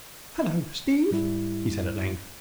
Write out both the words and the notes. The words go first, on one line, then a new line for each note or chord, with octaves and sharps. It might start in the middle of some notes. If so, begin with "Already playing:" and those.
"Hello, Steve," he said at length.
G#2 G3 E4